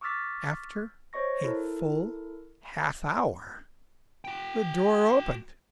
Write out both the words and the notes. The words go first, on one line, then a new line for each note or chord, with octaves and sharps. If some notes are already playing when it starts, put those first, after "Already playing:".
After a full half hour the door opened.
C#6 D6 E6 F6 A6 B6
C5 C#5 D#5 C#6 A#6
E4 A4 A#4
F#4 G5